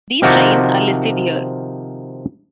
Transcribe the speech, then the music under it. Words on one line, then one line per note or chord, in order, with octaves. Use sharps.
These trains are listed here.
C3 D#3 F3 F#4 D5 A#5